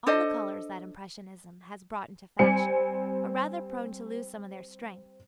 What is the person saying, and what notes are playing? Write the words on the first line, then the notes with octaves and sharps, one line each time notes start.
All the colours that Impressionism has brought into fashion, are rather prone to lose some of their strength.
D4 A4 C5 D#5
G3 C4 G#5 C#7